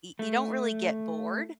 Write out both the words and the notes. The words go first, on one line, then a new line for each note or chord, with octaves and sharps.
Y You don't really get bored
A3